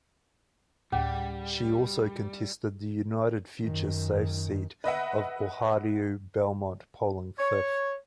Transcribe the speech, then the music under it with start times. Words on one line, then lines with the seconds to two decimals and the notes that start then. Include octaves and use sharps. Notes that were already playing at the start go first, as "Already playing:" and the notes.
She also contested the United Future safe seat of Ohariu-Belmont, polling fifth.
0.92 D2 A2 G3 C#4 G#4 F#5
3.60 F#2 D#3
4.84 B4 D#5 E5 F#5
7.39 C#5